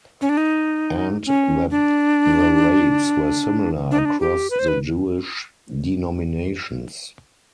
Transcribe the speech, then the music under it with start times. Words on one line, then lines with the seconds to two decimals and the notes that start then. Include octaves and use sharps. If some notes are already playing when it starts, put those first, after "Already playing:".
And that the rates were similar across the Jewish denominations.
0.21 C#4
0.29 D4
0.37 D#4
1.26 C#4
1.70 D4
3.91 D4
3.99 D#4
4.05 D4
4.21 G4
4.50 B4
4.59 C5
4.68 B4